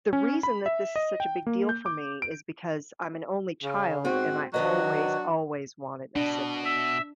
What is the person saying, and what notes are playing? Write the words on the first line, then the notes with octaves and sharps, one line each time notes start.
the reason that this is such a big deal for me is because I'm an only child and I always, always wanted a sibling.
C#4
B5
E5
D#5
G5
A#3
G6
D6
D7
C#3
G#2 C4 F#4
D#3 F#3 D4 F#4 B4 D#5
B2 D4
E5